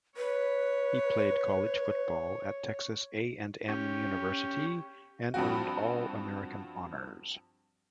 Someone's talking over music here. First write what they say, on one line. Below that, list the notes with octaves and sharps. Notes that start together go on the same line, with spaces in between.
He played college football at Texas A and M University, and earned All-American honors.
B4 C#5
C#4 G4
G2 F3 C4 F#4